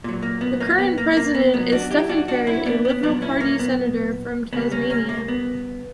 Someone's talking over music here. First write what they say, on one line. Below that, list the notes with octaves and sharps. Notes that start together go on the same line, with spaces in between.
The current president is Stephen Parry, a Liberal Party senator from Tasmania.
A#2 F#3
A#3
B3
A#3 C#4
B3
A#3
A#3
B3
B2 F#3 B3
D4 F#4
E4 G4
D4 F#4
D4 F#4
C#4 E4
B3 D4
B3
A#2 F#3 B3 D4
C#4 E4
A#3 C#4
B3
C#3 G3 B3
A#3 C#4
A#3 C#4
A#3
B3